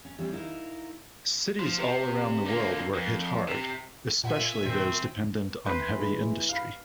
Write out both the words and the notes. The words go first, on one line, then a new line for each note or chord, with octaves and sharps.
Cities all around the world were hit hard, especially those dependent on heavy industry.
C#4
E3 G3 C4 C#4
D#4 E4 A#4 F5
F3
C3
D3 A#3
F2
C3
A#2 F4 E5 F#5 G#5
A#2 D#3 C4
E3 B4 C5
G#3 B5
F5 B5